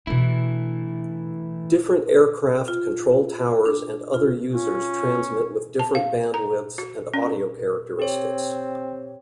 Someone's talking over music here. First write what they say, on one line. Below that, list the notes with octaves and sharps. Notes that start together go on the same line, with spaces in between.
Different aircraft, control towers and other users transmit with different bandwidths and audio characteristics.
B2 E3 A3 D4 E4
F4
D4
F4
C#4 F4
A5
F5
A#5
F#4
C#4
C4 G4 C#5